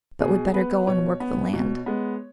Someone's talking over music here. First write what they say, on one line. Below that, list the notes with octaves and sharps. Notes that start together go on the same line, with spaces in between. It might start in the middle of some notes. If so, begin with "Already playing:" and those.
But we'd better go and work the land.
B2 G#4
B3 B4
B2 C#5
B3
B2
G#3 B3